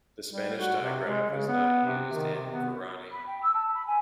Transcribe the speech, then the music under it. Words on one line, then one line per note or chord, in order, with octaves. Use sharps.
The Spanish digraph is not used in Guarani.
G3
F#4
C3
G#3
C#3
B3
C3
D#3
C3
B3
B5
G5
E6
A5
B5
G#5